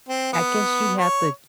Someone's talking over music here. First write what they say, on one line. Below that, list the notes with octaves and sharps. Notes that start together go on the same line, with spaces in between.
I guess you have to
C4
B3
C#5